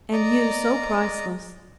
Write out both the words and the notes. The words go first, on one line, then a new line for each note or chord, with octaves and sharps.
And you so priceless!
D5 D#5 A#5